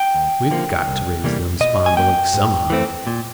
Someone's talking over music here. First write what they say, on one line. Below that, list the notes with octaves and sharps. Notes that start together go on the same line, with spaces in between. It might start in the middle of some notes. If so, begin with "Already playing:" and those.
We've got to raise them spondulicks somehow.
Already playing: G5
D#2
D3 F3 A#3
C2
C3 E3 G3 A#3
B2 D#5
G#5
F#3 A#3 G5
G#2
E3 A3 C4
A#2